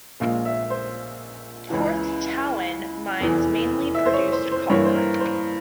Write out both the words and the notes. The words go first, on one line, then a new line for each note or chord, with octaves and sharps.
Porthtowan mines mainly produced copper.
A#1 A#2 G#3 F5
E5
C5
C#2 C#3 E3
F1 E2 E3
E5
C5
C#5
C5
C5
G2 E3 A#3 E4 C#5
C5
A#4
C5